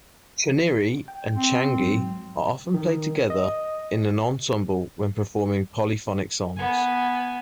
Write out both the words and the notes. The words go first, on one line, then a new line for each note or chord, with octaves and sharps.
Chuniri and Changi are often played together in an ensemble when performing polyphonic songs.
G5
C4
G#2 F#3
D#3
D#5
B3 G#5